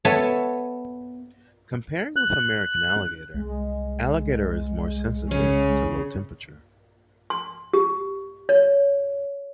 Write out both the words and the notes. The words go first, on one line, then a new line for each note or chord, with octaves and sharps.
Comparing with American alligator, alligator is more sensitive to low temperature.
B3 A4 C#5 E5
F#6
C2 G#3
C#3 C#4
C6
G4
C#5